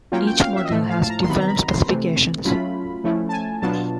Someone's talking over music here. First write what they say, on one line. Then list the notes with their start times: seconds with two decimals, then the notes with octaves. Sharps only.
Each model has different specifications.
0.12 F#3 A#3 C#4 F4 G5
0.27 G5
0.42 F5
0.56 E5
0.65 D#5
0.70 A2 F3 A3 E5
0.90 F5
1.02 A5
1.10 A#5
1.23 C6
1.29 C3 D#3 F#3 B3 B5
1.40 A#5
1.48 B5
1.68 C6
1.88 C3 E3 A3 C4
2.45 F#3 A3 C#4 F4 B5
3.04 F3 A3 C#4 E4
3.29 A5
3.33 G#5
3.62 B2 F#3 B3 D4 F4 A5